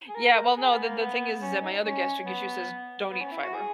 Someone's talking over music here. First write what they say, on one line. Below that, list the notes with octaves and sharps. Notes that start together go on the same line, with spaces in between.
Yeah, well, no, the the the thing is that my other gastric issue says, "Don't eat fiber."
G#4
A#4
G#4
B3
A#3
B3
C#4
D#4
C#4
B3
B3
C#4
E4
F#4
G#4